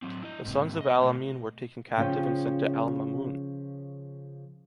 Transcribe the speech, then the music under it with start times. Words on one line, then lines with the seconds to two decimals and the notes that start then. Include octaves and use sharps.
The sons of Al-Amîn were taken captive and sent to Al-Ma'mûn.
0.02 F#3 C4
0.23 E4 D#5
0.45 G#2 C3
0.81 D#5
0.99 B2 A3
1.97 C#3 F3 C#4 F4 G5